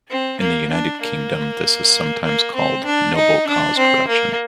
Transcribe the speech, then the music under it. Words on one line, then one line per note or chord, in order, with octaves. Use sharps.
In the United Kingdom, this is sometimes called 'Noble Cause Corruption'.
C4
A#3
D4
A#3
A#3
C4
D4
D#4
D4
C4
A#3